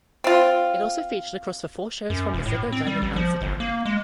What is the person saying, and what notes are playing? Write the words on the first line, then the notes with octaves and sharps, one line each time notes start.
It also featured across the four shows from the Ziggo Dome in Amsterdam.
C4 F4
F#2
E1
A2
C4
G3
A1
F3
G1
A#3
G#3